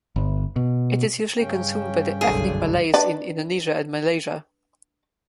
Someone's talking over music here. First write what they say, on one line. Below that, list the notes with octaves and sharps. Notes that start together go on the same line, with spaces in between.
It is usually consumed by the ethnic Malays in Indonesia and Malaysia.
G1
B2
G2 C#3 C#4 G5
F#1 B1 D3 G#4
D4 B4 D5